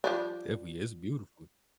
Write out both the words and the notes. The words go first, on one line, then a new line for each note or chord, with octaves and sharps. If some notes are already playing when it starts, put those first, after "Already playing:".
definitely it's beautiful,
F3 G3 D4